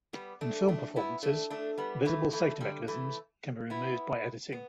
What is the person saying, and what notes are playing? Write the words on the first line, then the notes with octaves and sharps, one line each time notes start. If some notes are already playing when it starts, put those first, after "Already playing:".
In filmed performances, visible safety mechanisms can be removed by editing.
G3 B3
A3 D4
A3 D4
B3 E4
A3 D4
A3 D4
G3 B3
E3 A3
E3 A3
D3 G3
E3 A3
B3 E4
B3